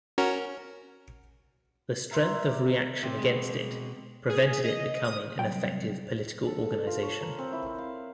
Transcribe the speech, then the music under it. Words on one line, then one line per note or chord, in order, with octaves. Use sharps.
The strength of reaction against it prevented it becoming an effective political organisation.
C#4 F#4 A#4
A#4 E5 C6
D5
C3 C4
B2 G#3
G#4
D#5
D#6
C2 F#2 G5
A4
A5
F4
C#5
A#4
C4
E4
C4
F5